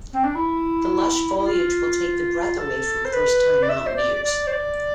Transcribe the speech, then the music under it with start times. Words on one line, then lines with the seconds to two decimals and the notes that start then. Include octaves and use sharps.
The lush foliage will take the breath away from first time mountaineers.
0.12 C4
0.23 D4
0.35 E4
1.37 E4
1.46 F4
2.57 A4
3.04 C5
3.13 B4
3.62 D5
3.68 E5
3.86 C5
3.96 D5
4.24 D5
4.47 C5
4.52 D5